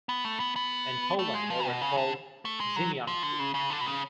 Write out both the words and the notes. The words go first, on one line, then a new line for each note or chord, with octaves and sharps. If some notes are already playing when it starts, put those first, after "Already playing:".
In Poland they were called "ziemianki".
B3
A3
B3
B3
A3
G#3
F3
B2
C#3
D3
A3
G#3
F#3
F3
D3
C#3
C#3
D3
B2
C#3